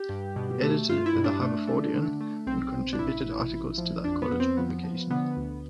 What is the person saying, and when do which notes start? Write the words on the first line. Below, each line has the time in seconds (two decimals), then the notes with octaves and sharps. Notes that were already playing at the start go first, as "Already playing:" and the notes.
He edited "The Haverfordian" and contributed articles to that college publication.
Already playing: G4
0.09 G2
0.36 B2
0.62 A3
0.89 G2 F4
1.06 E4
1.15 G2
1.24 D4
1.41 A3
1.67 A3
1.94 D3
2.21 A3
2.47 B1 C4
2.74 B1
2.93 D4
2.99 A1 E4
3.26 A1
3.52 A1
3.78 F3
4.04 F2 D4
4.22 B3
4.32 F2
4.40 C4
4.57 F3 B3
4.83 F3
5.10 D3 B3
5.37 D2